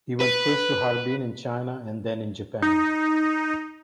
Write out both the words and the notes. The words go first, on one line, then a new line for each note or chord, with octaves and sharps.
He went first to Harbin in China and then in Japan.
B4
D#4